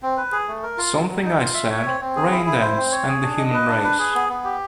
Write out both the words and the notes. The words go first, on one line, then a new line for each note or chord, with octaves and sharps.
"Something I Said", "Raindance" and "The Human Race".
C4
B4
G#4
A3
A#4
F4
F#3
F#3
D#4
F4
E5
C#5
C4
C4
G#4
E4
E4
C5
C4
C#5
G#4
D4
D#5
B4
D4
B4
G#4
B3
B3
G4